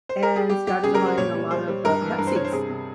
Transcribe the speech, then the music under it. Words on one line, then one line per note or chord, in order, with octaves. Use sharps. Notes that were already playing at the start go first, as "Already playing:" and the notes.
And started relying a lot of, uh, Pepsi's,
C5
A#4
G#4
G3 G4
G3 G4
C#3 G#4
A#4
G3
C5
A#2 C#5
G3
G3 C5
G3
G2 A#4
E3
G2 A#4
C5
G2 C#5
C5
C3 G#4
C3